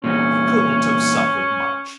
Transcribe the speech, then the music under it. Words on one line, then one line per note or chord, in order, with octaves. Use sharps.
He couldn't have suffered much.'
E2 A#2 C#4